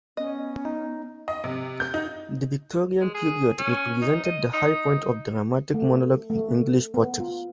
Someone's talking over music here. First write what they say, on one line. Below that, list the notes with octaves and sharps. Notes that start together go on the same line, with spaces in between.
The Victorian period represented the high point of the dramatic monologue in English poetry.
B3 C#4 D#5
D#4
D#5
C3
G6
D#4
G#3
G#4
C#4
D#4
D#5
D#4
A3
A3
B3
F4